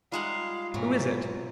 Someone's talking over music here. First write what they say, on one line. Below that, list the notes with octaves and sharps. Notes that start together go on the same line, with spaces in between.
"Who is it?"
G3 G#3 D#4 F4 F5 F#5
G#2 B2 E3 F#3